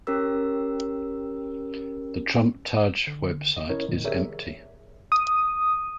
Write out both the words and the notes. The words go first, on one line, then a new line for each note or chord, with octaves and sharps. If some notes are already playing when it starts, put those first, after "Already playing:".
The Trump Taj website is empty.
C#4 G4 A#4 E6
D3
D#5
C#4 E4 A#4 C#5
A2 D3 F3
G4 G#4 A#4 C#5 D5 E5
D#6